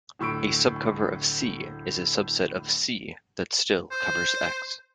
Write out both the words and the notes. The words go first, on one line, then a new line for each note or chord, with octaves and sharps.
A subcover of "C" is a subset of "C" that still covers "X".
D1 A2 C#6 E6 D7
C5